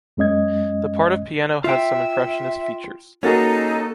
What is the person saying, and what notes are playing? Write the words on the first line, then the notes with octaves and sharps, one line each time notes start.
The part of piano has some impressionist features.
F#2 G#3 C#4 D#5 G#6
F4 E5 G5
A#3 C#4 D#4 F#4 G#4 A4 A6